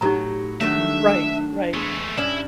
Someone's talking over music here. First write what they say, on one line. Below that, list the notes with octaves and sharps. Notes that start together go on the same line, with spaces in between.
Ye right, right.
A2 F#3 D#4 G4 A#5
D#3 F#3 A3 D4 E5
E2 G#3 A3
G2 C#4 D4 E4